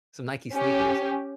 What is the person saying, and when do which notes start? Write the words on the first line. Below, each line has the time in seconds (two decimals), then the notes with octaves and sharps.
Some Nike sneakers.
0.54 C#4 G4